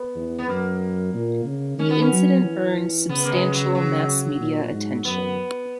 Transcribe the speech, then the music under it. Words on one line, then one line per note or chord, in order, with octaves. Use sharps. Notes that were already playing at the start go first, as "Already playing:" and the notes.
The incident earned substantial mass media attention.
Already playing: B3
E2
B3
F#2 A#3
A#2
C#3
D#3 C#4
B3
C#4
F#3
E3
C#3 B3
A#3
G#3
F#3
F#3
A#2
G#2
F#2 B3